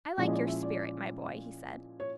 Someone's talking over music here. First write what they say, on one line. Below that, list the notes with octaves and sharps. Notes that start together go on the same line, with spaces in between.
"I like your spirit, my boy," he said.
A#2 F3 G#3 C#4 E4 D5
D#5
D5
E5
D5
C#5